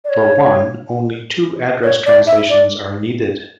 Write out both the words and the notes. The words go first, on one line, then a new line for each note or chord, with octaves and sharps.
For one, only two address translations are needed.
D5
C#5
C#5
D5
E5
D5